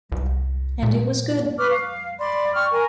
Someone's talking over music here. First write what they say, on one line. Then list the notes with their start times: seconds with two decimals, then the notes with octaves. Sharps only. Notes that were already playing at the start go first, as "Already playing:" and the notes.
And it was good.
0.12 C2
0.83 A#2
1.58 B4 C#6 D6 F6
1.71 F5
2.19 D5 B5 C6
2.54 G5 C#6 F6
2.71 A#4 G#5